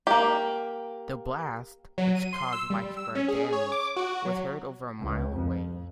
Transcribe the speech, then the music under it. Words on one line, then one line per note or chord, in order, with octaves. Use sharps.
The blast, which caused widespread damage, was heard over a mile away.
A#3 G4
F#3
D#7
C6
E6
G3
E6
C#4
G#4
C#5
D6
F#4
F#3
C#2
F2